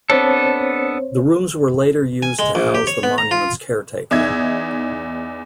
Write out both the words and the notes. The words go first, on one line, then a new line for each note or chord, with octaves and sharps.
The rooms were later used to house the monument's caretaker.
B3 C4 D4 A4 C5 C#5
G#5
G#3
A#1
G4
C#5
B3
A#5
F4
E2 D#4 E5 G#6